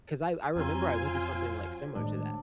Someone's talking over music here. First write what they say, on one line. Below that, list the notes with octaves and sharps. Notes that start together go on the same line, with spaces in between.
'cause I I remember I went through something, like, similar to that.
F2 F#3 C4 F4 G#5
A2 D#3 G#3 D4